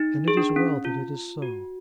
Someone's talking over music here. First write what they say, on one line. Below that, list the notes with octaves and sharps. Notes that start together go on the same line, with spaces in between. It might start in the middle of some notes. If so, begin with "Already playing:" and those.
And it is well that it is so.
Already playing: D#4
G#4
D4
C#4
F4
F#4